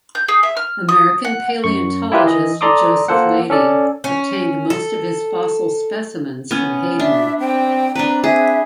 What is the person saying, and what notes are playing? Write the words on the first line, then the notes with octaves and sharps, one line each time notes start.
American paleontologist Joseph Leidy obtained most of his fossil specimens from Hayden.
G6
G#4
E5
F6
D#6
F#5
F#2 C#6
E4 F4 G4 A#4 B4
E3 D#5
A4 D5 A#5 C6 D6 D#6
A#3 F4 A4 C5 F#5
C#4 A4 D5
C#4
A4
B3 C#4
D4 E5
C4 G5
C4 D4 B4 A#5
G#4 E5